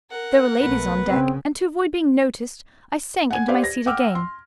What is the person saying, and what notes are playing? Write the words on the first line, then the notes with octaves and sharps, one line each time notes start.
There were ladies on deck, and to avoid being noticed I sank into my seat again.
A#4 F#5
B1 A3 B3 B4
C#3 C4
F#5 G#5 G#6
G4 B4 C5 D5 F5
A#6
F#5 G5 D6 E6 F6
C6